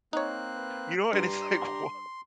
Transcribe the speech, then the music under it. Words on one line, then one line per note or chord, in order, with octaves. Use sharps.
You know, and it's like, wha
A#3 C4 D#4 C#5 F#6
B4
G2 D4 G4 A#5 C6